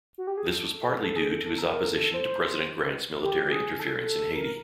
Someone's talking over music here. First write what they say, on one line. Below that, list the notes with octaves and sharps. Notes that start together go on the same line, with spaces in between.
This was partly due to his opposition to President Grant's military interference in Haiti.
F#4
G4
G#4
A4
A4
G#4
A4
A4
A#4
A4
C5
G4
A4
G#4
A4
A#4